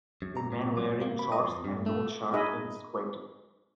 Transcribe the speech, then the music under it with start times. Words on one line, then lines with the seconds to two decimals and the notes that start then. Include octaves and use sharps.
A man wearing shorts and no shirt is squatting.
0.22 F#2
0.37 A#5
0.52 A#2
0.77 F#3
0.90 A#2
1.02 A#3
1.19 B5
1.32 D#5
1.44 F2
1.65 G2
1.86 A3
2.33 D#4 G#4 D#5 E5 B5